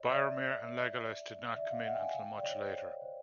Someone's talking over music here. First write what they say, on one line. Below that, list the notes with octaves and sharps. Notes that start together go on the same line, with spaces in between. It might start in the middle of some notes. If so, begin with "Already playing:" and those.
Boromir and Legolas did not come in until much later.
Already playing: C#5 D#5
D5 E5
D5 E5
D#5 F5
E5 F#5
G5
F#5 G#5
F5 G5
F5 G5
D5
C#5 D#5
C5 D5
C#5
C#5
C5